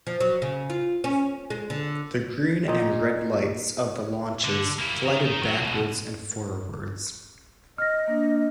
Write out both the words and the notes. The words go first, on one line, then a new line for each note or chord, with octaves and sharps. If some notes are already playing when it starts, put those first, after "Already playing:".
The green and red lights of the launches glided backwards and forwards.
F3
F#3
C#3
F4
C#4
G#3
D3
A#2 D#4
D3
A#3 E4
D#3
D#3
F#3
C#2 B2
D#5 F6 A#6
A#3 D4